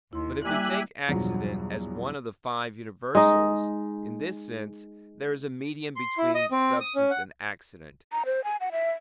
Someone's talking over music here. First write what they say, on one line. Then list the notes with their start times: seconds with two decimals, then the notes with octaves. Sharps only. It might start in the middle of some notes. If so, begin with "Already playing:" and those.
But if we take accident as one of the five universals, in this sense there is a medium between substance and accident.
0.13 D#2 E4 C6
0.44 G3 A#3 G4 D5 E5 G#5 F#6
1.08 E2 G2 B2 F3 F#3
3.15 G#3 D#4
5.96 C6
6.18 E4
6.34 D#5
6.51 C4
6.81 D#6
6.95 C#4
7.11 F#5
8.12 A#5
8.26 C5
8.44 G#5
8.61 F#5
8.72 E5